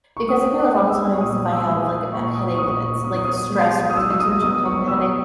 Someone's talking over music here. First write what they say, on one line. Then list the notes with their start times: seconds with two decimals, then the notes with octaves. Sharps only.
Because I know a lotta times if I have, like, a bad headache, and it's, like, a stress or a t a tension type of headache,
0.17 C#6
0.28 B3 D#6
0.75 G#3
0.89 E6
1.12 C#6
1.20 A#2 D#6
1.51 E6
1.58 D#6
1.66 G#3 E6
1.82 D#6
2.12 A#2 C#6
2.24 C#6
2.35 D#6
2.55 C#6
2.58 A#2 D#6
2.81 C#6
3.04 B3 D#6
3.15 C#6
3.25 D#6
3.50 G#3
3.90 D#6
3.96 F#3 E6
4.11 E6
4.20 D#6
4.42 B3 D#6
4.65 C#6
4.88 B2 E6